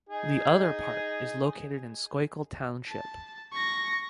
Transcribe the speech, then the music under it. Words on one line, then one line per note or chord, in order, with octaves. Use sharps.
The other part is located in Schuylkill Township.
D#4 G#4
A5
C#6 A#6